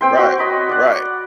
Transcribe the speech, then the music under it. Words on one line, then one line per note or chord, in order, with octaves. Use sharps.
right. Right.
C4 G5 C6
F#4
C#5 D#5 B5 C6
D5 F#5